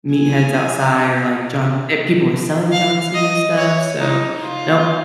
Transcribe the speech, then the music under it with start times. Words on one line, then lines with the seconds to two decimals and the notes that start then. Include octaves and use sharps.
meatheads outside or, like, John eh-people were selling John Cena stuff, so nope,
0.13 G#5
2.72 F5
3.14 D#5
3.58 C#5
4.01 D#4
4.44 F4